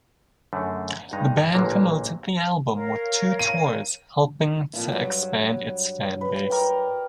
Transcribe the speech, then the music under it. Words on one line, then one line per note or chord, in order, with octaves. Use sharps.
The band promoted the album with two tours helping to expand its fan base.
F#2 D3 G#3 A3
G2 G#3 D#4 A#5
A1 A#2 D3 F#3 A#3 A#4
A#4 C#5 F5
D#7
F2 A#2 E4
G2 F#3
B4
A#4 D5 G5